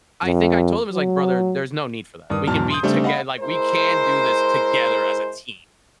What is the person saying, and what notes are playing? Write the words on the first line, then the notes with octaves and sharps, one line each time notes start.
I think I told him, I was like, "Brother, there's no need for that. We can be toge like, we can do this together as a team.
F2
F#3
G2 D#3 D#6
E2 G#2 B2 F#3 A5 F6
C6 D#6 G6
C#3 G3 A3 C4 D4
D#5 F5 F#5 B5
G#3 E4 A#4 C5